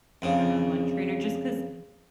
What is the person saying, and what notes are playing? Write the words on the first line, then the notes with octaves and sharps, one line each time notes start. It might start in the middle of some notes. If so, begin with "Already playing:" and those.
one-on-one trainer, just 'cause
F2 C#3